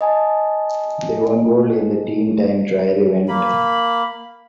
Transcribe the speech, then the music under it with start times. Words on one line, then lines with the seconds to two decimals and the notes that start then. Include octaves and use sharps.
They won gold in the team time trial event.
0.01 D#5 G#5 A5
3.28 A#3 B5